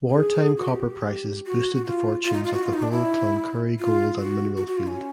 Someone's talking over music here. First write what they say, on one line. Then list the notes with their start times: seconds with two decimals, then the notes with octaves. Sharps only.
Wartime copper prices boosted the fortunes of the whole Cloncurry Gold and Mineral Field.
0.11 G#4
0.57 F#4
0.69 G4
1.46 F#4
1.74 F#4
1.86 F4
2.24 F4
2.33 D#4
2.44 F4
2.53 F#4
2.63 F4
2.73 D#4
2.82 D4
2.92 E4
3.79 F4
4.19 F#4
4.57 F#4
4.67 F#4
4.77 F4
4.87 C#4